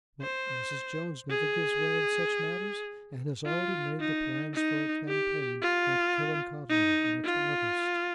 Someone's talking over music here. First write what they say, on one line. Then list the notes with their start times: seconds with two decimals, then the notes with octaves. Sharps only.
But Mrs. Jones never gives way in such matters, and has already made the plans for a campaign at Killancodlem next August.
0.22 C5
1.30 G#4
3.46 F4
4.00 D#4
4.54 D#4
5.08 G4
5.62 F4
6.69 D#4
7.24 F4